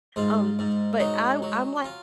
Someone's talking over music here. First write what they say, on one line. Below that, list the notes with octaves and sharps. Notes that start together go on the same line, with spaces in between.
Um, but I I'm like
G#2 F4
G#2
F#3 D#4
F#3
F4